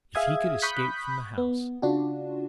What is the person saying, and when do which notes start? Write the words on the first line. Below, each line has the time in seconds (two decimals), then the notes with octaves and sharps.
If he could escape from the house!
0.15 G#4 E5 F5 D#6 G#6
0.62 B5 C#6 D#6 F#6 G6 B6
1.38 B3
1.82 C#3 D4 F4 F#4